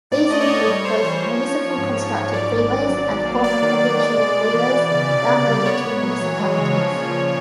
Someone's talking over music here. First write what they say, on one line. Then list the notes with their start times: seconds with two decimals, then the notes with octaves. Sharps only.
These include both municipal-constructed freeways and former provincial freeways downloaded to municipalities.
0.11 A2 D5
0.30 A3 D#5
0.40 C#5
0.48 A2 D5
0.67 G3 C#5
0.85 G3 C5
1.04 E3 C#5
1.22 F3
1.40 F3
1.59 F3
1.77 G#2
1.96 G#2
2.15 G#2
2.33 F#2 D5
2.51 G#1
2.70 G#1
2.88 F#3
3.07 B1
3.25 A#3
3.44 F#3 D5
3.62 D#3
3.81 D#3
4.00 G#3
4.18 B2
4.36 B2
4.54 E3
4.73 E3
4.91 C#3
5.10 C3
5.28 C3
5.47 G3
5.66 B3 C#5
5.84 A#1
6.02 F#3
6.21 E3
6.39 G#3
6.58 C#3
6.76 F3
6.95 A#2
7.13 F3